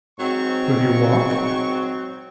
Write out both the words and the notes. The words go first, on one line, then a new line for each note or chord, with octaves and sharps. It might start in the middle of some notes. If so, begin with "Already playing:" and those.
"Will you walk?"
G#2 F#3 C4 C#6